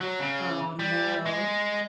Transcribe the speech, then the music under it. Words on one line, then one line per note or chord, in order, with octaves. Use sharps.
Oh no.
F#3
C#3
G3
G#3